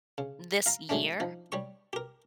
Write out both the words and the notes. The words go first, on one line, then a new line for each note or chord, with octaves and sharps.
this year,
C#3
F5 A#5
F#3 G#3 A3 C#4 D4
F3 D#4
G3 C#5 C#6
G4 A#4